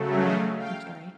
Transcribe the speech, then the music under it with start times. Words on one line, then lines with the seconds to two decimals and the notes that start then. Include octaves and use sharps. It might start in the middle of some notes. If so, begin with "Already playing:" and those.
Mm. I'm sorry.
Already playing: C#3 F#3 A3
0.19 D#5 F5
0.57 F5 G5